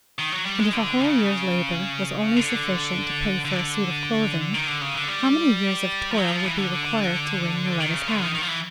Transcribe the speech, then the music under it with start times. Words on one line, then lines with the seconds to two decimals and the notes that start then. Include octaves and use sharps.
And if a whole year's labor was only sufficient to pay for a suit of clothing, how many years of toil would be required to win Yoletta's hand?
0.19 D#3
0.32 F#3
0.46 G3
0.59 G#3
0.73 D3
1.01 C#3
2.36 D3
3.45 D3
4.54 D#3
4.67 D3
4.81 C#3
4.95 D3
5.08 G3
6.11 F3
6.17 F#3
6.31 F3
6.44 E3
6.58 D3
7.80 D#3
7.94 C#3
8.07 D3
8.21 D#3
8.34 D#3
8.42 F3
8.48 E3